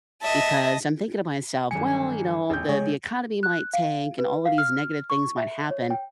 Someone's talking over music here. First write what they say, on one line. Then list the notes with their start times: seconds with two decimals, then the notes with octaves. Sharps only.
because I'm thinking to myself, "Well, you know, the the economy might tank and all of these negative things might happen
0.22 D#5 E5 A5
1.71 G1 D#3 F#3 G#3 G#5 C#7
2.50 A1 E2 G6
2.69 C#3 G#3 G#4 C#5
3.43 F#6
3.73 F5
4.19 B4
4.45 F5
4.58 F6
5.10 C#6
5.38 E5
5.71 C#5
5.90 G5